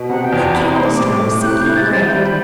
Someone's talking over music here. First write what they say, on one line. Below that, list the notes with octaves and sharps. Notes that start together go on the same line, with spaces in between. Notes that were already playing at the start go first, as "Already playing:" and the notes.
That cannibal story was simply grand.
Already playing: B2
C3 F#5
G5
E2
A5
C3 B5
C6
C4
D6
A2
A2
G6
C3 F#6
G6
E4
A6
C4 A6
G6
G3
B5